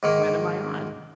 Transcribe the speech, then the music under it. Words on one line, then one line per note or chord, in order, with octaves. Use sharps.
"When am I on?"
G#2 D#3 A#3